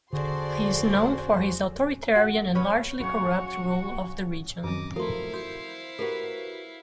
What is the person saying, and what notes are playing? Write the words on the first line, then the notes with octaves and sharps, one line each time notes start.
He is known for his authoritarian and largely corrupt rule of the region.
D3 F#4 G#4 A4 C5 D5 C6
F#4
C#4 B4 C#5
C#3 F#3 F#4 C#5
F#2 D#3 C4 D#5 D6
F3 A3 E4 F#4 A#4 F5 C6
F#4 C5 C7 C#7
F#4 G4 A#4 B4